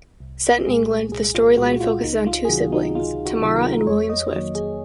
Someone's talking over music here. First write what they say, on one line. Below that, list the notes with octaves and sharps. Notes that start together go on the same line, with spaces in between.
Set in England, the storyline focuses on two siblings, Tamara and William Swift.
C2
A#2 G#3 G#4
C2 G#4
F4
A#2 G#3 F#4
F4
C#2 D#4
F4
G#4
C3 D#3 F#3 F#4
D#4
C#2 F4
F#4
C3 D#3 F#3
A#4
F2 C#5
D#5
D#3 F#3 A#3
G#4